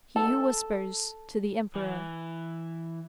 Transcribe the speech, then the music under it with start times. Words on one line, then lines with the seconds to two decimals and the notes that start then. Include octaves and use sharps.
He who whispers to the emperor.
0.16 A4
1.75 E3